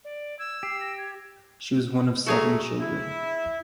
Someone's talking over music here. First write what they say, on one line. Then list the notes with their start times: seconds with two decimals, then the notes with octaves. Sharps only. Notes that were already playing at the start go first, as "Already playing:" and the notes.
She was one of seven children.
0.05 D5
0.39 E6 G#6
0.63 G4 C7
0.81 A#6
0.98 G#6
2.26 A3 C#4 F#4 G#4 A#5
2.80 E4